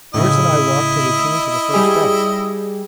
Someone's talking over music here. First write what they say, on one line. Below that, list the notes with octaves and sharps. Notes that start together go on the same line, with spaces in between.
Meares and I walked till we came to the first ice.
A2 C#3 E4 D#5
G3 G4 G#4